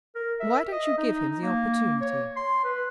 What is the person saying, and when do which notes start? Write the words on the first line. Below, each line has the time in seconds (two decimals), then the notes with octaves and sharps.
"Why don't you give him the opportunity?"
0.16 A#4
0.40 E5
0.72 D#5
0.98 D#4
1.42 A#3
2.01 C#5
2.37 C6
2.64 B4